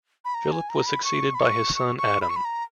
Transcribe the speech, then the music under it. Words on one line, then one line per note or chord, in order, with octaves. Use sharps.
Philip was succeeded by his son Adam.
B5
A#5
G#5
A#5
B5
C#6
B5
C#6
C#6
C#6
B5
C#6
B5
A#5